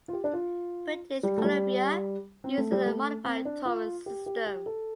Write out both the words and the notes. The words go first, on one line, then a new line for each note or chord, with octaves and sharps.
British Columbia uses a modified Torrens system.
F4
G4
D4
F4
G3
A3
G3
C4
A3
G3
A3
C4
D4
F4
G4
G4
G4
A4